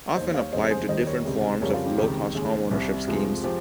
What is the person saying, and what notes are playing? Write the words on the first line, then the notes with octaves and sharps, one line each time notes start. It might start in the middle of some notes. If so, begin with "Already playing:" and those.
Often applied to different forms of Low Cost Home Ownership schemes.
D#2 D#3 G3 C5 D#5
C#5 F5
F2 C#3 G3 C5 D#5
G#4 C5
D#2 D#3 G3 C5 D#5
A#4 C#5
C#2 C3 G3
F2 C#3 G3 A#4 C#5
F4
G4
C#2 C3 D#3 G4
D#2 C#3 G#3
C2 C3 G3
F2 C3 F3 G#3
F3 G#3 G4